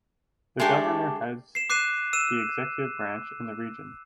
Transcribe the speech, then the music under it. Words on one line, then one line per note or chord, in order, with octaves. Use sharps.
The governor heads the executive branch in the region.
G#3 A3 D4 G4
C7 E7
D6 F#6 C7 D#7 E7
E6 D#7 E7